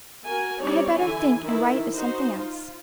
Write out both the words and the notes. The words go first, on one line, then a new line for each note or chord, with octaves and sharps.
I had better think and write of something else.
F#4 A#4 G#5
G3 C4 D#4 G4 C#5 D5
D3 E3 E4 G#5
D#3 E3 E4
D#4 F#4 C5
F4